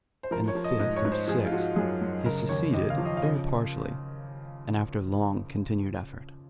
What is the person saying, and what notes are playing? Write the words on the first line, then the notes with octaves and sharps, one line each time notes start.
In the fifth or sixth he succeeded very partially, and after long continued effort.
C5
F3 A#4
C#5
F3
D#5
G#2 D#5
C#5
G#2
C5
F3 G#4
F4
F3 F#4
F#2 G#4
F#2
C#3 A#4
D#2 C#5
D#2 D#5
F5
F3
D#5
F5
C#3 D#5